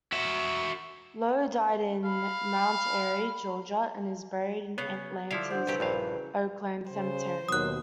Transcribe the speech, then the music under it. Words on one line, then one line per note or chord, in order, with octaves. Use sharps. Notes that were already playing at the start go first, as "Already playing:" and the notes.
Lowe died in Mount Airy, Georgia, and is buried in Atlanta's Oakland Cemetery.
F#4 E5
F5 B5
C#3 B3 C#4 F5
D3 F3 E4 F5
D4 C5 F#5
C2 C#3 E3 F#3 G4 B4
A#1 G2 F5
C#3 C5
D#2 B2 D#3 F#3 D#6 F#6